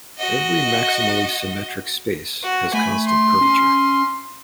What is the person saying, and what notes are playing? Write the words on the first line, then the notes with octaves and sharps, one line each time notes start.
Every maximally symmetric space has constant curvature.
F#4 D#5
F#4
A3 G#5 B5
C6
C#4